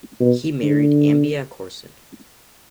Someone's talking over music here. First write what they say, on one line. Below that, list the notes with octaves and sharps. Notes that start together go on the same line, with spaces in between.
He married Ambia Corson.
B2
D3